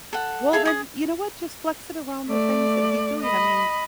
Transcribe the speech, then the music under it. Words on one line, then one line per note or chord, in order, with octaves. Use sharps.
Well, then, you know what? Just flex it around the things that he's doing. I mean,
A4 F#5
G#4 A4 E5 F5
G#4 D#6
A3 D5
D#5 B5